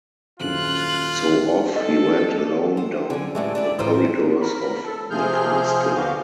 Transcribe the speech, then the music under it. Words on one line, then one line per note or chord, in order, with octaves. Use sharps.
So off he went alone down the corridors of the castle.
D#1 F#2 F4 F#6
A4 D#5
C5
D3 G#5
A2 D3 E3 G#3 A3 G4
D4 E4 D5
A2 E3 F4 A#4 C5
A#4 B5
A4
C3 F3 C4 G#4 F6 G6
D#2 D3 B3 F#4 G4 F5